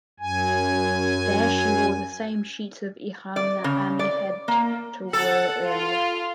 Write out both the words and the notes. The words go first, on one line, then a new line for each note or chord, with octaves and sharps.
There she wore the same sheets of ihram that Ammi had to were earlier.
F#2 G#5
D5
C#3
D5
A#3
A4 F#5
F4